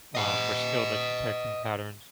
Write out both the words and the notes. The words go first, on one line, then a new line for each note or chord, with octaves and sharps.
Um, we're skilled at detecting patterns,
D#5 F#5